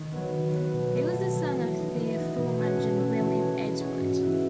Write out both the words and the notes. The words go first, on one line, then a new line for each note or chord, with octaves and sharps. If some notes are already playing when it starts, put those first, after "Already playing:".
He was the son of the aforementioned William Edward.
Already playing: D#3
F#3 B3
D#3
F#3 B3
B2
F#3 A3
B2
F#3 A3
E3
B3 D#4
E3
B3 D#4
B2
A3 C#4 F#4
B2
A3 C#4 F#4
E3
G#3 C#4 F#4
E3
G#3 C#4 F#4
G#2
E3 B3 E4